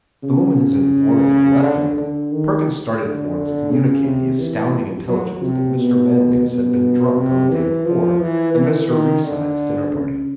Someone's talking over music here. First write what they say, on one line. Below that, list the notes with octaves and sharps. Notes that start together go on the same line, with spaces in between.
The moment his informant had left him, Perkins started forth to communicate the astounding intelligence that Mr. Manlius had been drunk on the day before, at Mr. Reeside's dinner-party.
C#3
D3
D3
D#3
D3
C#3
C3
E3
F#3
C3
B2
B2
C3
E3
F3
E3
E3
D#3
D3
C#3